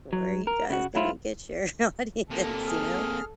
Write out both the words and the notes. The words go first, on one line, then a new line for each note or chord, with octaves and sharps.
"Where are you guys gonna get your audience," you know?
F#3
A#4
C#3 F#4
F#3 A3 E4 F4
C3 A#3 A4
G#4 F6